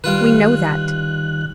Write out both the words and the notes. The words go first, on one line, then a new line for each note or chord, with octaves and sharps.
We know that.
D#3 G3 F4 B4 F#6